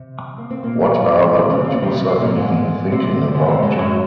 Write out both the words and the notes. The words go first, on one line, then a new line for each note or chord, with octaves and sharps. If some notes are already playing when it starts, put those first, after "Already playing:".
What are the producers even thinking about?
Already playing: C3
A#3
C4
A#2 A#3
A#2 A#3
F#2 F#3
F2 F3
F#2 F#3
G#2 G#3
C3 C4
C#3 C#4
C4
A#3
C3 C4
C3 C4
A#2 A#3
G#2 G#3
C3 C4
G#2 G#3
C3 C4
G#2 G#3
F#2 F#3